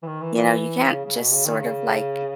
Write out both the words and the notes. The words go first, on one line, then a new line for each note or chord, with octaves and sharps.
you know, you can't just sort of, like,
E3
D#3
E3
E3
C#3
C#3
B2
C#3
D#3
C#3